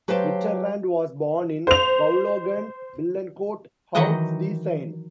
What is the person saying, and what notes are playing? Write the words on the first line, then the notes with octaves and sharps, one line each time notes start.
Mitterrand was born in Boulogne-Billancourt, Hauts-de-Seine.
F#3 G4 B4 C5 F5 A5
C5 F7
D#3 E3 F#3 D#5 F#5 G5